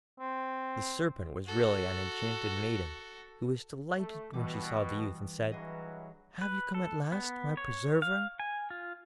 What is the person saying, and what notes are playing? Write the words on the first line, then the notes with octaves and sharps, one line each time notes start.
The Serpent was really an enchanted maiden, who was delighted when she saw the youth, and said, 'Have you come at last, my preserver?
C4
F#4 A4
A3
B2 E3 G3 D6
G2 E3 F#3 G#4 D#5
B4
A4
B3
C#5
F5
G#5
F4